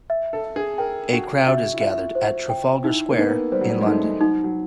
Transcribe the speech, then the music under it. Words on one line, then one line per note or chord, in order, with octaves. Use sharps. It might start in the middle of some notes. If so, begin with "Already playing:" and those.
A crowd is gathered at Trafalgar Square in London.
E5
A4
E5
G#4
A#4 G5
F#4 G5
F#4 E5
E4
F4 E5
C5
G5
D#4 E4
A#3
B3 D#4
G3 C5
F#3
G3
G#3
A3 D#4
G#3
F#3 D#4
F#3